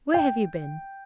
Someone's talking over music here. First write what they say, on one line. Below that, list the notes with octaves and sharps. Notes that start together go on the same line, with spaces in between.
Where have you been?'
G5